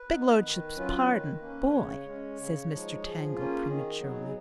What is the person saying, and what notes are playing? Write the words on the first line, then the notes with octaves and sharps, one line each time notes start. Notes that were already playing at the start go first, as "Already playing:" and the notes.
"Begludship's pardon--boy," says Mr. Tangle prematurely.
Already playing: B4
B3 D#4
D#3
F#3 C#4 F4
D#3
A#3 C#4
B4
C#3 C#5
G#3 C#4
C#3
F3 G#3 D#4
F3 G#4
A#3 C#4 F4
D#3
F#3 B3 D#4
G#4